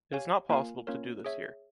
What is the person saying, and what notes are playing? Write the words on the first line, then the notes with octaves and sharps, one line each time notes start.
It is not possible to do this here.
G4 C#5 F5 G#5
A#3 F4 A#4 F5 G#5
A#3 C#4 F4 A#4 C#5
G#4 C#5 E5